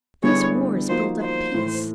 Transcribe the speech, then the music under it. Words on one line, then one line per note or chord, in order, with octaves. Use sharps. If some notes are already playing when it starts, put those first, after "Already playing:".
These wars build up peace.
D3 G3 B3 E4 G#4 C#5
F3 A#3 D#4 F#4 C5
C5
A2 E3 A3